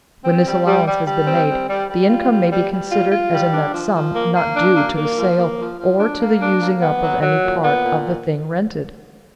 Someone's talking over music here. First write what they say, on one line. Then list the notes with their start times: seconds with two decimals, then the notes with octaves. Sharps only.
When this allowance has been made, the income may be considered as a net sum not due to the sale, or to the using up of any part of the thing rented.
0.25 C4
0.46 G3
0.67 G3
0.87 G3
1.07 G3
1.27 C4
1.48 G3
1.69 G3
1.90 G3
2.10 F4
2.30 G3
2.52 G3
2.72 G3
2.92 F4
3.12 F4
3.33 G3
3.53 D4
3.74 F3
3.95 F3
4.15 A#3
4.36 A#3
4.56 D4
4.76 A#3
4.97 A#3
5.17 F3
5.38 A#3
5.59 F3
5.79 F3
6.00 D4
6.20 A#3
6.41 D4
6.61 A#3
6.82 B3
7.03 F#3
7.22 F#3
7.43 A#2
7.64 B3
7.84 A#2